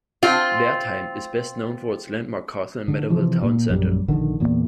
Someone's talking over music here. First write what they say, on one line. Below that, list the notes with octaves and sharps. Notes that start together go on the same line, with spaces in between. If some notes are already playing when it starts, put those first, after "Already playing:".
Wertheim is best known for its landmark castle and medieval town centre.
C4 F4
D3
C3 E3 F3
A#2
A#1 F#2 G3
A#1 D3 D#3
E2 A#2